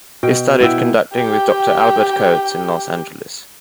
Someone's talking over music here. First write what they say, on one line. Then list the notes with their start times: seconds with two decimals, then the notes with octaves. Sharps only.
He studied conducting with Doctor Albert Coates in Los Angeles.
0.23 B2 G5
0.61 B3 E4 G5
1.17 G4 G5